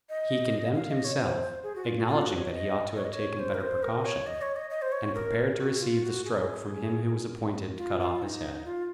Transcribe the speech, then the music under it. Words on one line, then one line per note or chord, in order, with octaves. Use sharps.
He condemned himself, acknowledging that he ought to have taken better precaution, and prepared to receive the stroke from him who was appointed to cut off his head.
D#5
F5
D#5
C#5
C5
G#4
F#4
F4
F4
F#4
C#5
D#5
C#5
D#5
C#5
C5
A#4
C5
A#4
C#5
D#5
C#5
D#5
D#5
C5
C#5
A#4
F#4
F4
F#4
G#4
F4
F4
D#4
F4